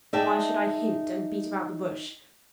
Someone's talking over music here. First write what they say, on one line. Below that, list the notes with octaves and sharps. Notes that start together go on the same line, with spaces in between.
Why should I hint, and beat about the bush?
D#4 G#4 D5 E5 G5 A5